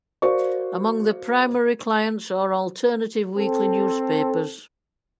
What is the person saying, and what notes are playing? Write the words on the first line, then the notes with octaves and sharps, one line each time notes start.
Among the primary clients are alternative weekly newspapers.
F#4 A#4 C5 D5 F5 C#6
C4 A4